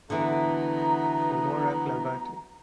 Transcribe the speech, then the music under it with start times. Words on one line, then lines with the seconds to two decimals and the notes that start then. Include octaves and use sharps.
Femora clavate.
0.10 D3 E3 F#3 A3 B3 A#5